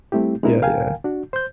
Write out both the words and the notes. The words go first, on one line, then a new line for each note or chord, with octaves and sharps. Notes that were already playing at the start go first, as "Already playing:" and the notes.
Yeah, yeah.
G3 A3 C4 E4 G4
G#3 B3 C4 D4 E4 A#4
C#2 A#4 F5 G5 G#5
D4 F#4
C5 G6